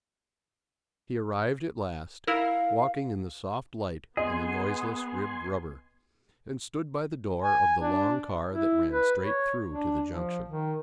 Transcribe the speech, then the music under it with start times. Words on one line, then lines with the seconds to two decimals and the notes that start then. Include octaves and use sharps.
He arrived at last, walking in the soft light on the noiseless ribbed rubber, and stood by the door of the long car that ran straight through to the Junction.
2.27 E4 A#4 F5
4.17 B3 G#4 D#5 G#5 C6
7.42 G#5
7.81 D4
8.53 E4
8.91 B4
9.21 C#5
9.68 D4
10.10 F3
10.48 D#3